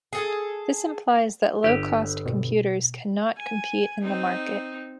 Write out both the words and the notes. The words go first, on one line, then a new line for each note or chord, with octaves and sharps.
This implies that low-cost computers cannot compete in the market.
G#4 A4
G1 G4
B2
G#5
C4 D#4